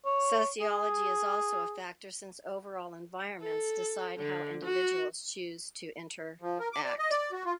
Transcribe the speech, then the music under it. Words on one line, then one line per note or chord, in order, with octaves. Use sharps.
Sociology is also a factor since overall environments decide how individuals choose to interact.
C#5
G#4
A4
D3
F#4
F3
A#4
D6
D5
D#5
D5
F#4
F4